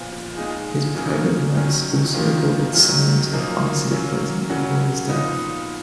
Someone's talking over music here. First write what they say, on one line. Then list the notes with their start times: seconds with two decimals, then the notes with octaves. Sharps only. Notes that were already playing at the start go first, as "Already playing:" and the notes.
His private nurse also reported signs of arsenic poisoning before his death.
Already playing: A#2 F3 B3
0.36 A#2 G#3 D#4 G#4
0.95 C#3 F#3 A#3 C#4 G#4
1.55 D#3 F#3 C#4
2.13 F2 D#3 A#3 F4
2.73 F#2 D#3 F#3
3.32 F#2 F3 A#3 D#4 A#4
3.91 F#3 A#3 C#4
4.49 C#3 F#3 C#4 F#4 A#4
5.09 A#2 F3 B3 D#4